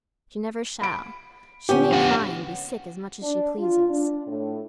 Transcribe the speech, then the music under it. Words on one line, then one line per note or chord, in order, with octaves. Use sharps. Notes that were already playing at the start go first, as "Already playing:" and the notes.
She never shall!--she may cry, and be sick as much as she pleases!'
B5 D7
A#2 D3 B3 C#4 G4
F2 F4 F#5
D4
F4
D4
A2